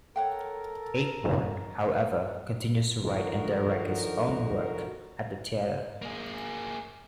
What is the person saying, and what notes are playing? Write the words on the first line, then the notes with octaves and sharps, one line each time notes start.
Ayckbourn, however, continues to write and direct his own work at the theatre.
A4 A#4 C#5 F#5 G5
D3 D#3 F3 F#4 A#4
A#3 G#4